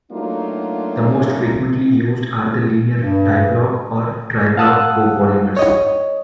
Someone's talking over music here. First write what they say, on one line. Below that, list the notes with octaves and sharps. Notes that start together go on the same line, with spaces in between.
The most frequently used are the linear diblock or triblock copolymers.
F#3 A3 A#3 D4 D#4 F4
G2
F5 F#5 A5 D#6 E6 F#6
C#5 D#5